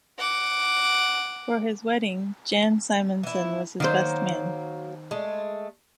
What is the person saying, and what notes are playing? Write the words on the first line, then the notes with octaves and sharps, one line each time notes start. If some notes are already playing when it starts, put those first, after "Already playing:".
For his wedding, Jan Simonsen was his best man.
F#5 D6
E3 E4
D#3 F#3 A#3 C5
G#3 A3